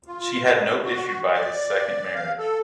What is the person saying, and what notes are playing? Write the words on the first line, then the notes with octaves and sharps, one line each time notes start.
She had no issue by this second marriage.
F4
D#4
F#4
D5
F5
A4